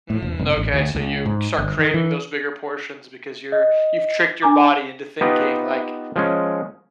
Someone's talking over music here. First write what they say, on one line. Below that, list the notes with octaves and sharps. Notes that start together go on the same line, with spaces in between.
Mm, okay, so you start craving those bigger portions because you're you've tricked your body into thinking, like,
A2
E1
F1
A1
D2
C#2
G#2
G1
D#3
E3
D#5
D4 G#5 A#5 D6
B3 D#4 F4 G4 B4
F3 G#3 C#4